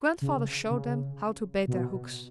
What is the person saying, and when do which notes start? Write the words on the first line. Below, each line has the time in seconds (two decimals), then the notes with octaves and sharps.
Grandfather showed them how to bait their hooks.
0.21 C#3
0.70 C#3
1.68 B2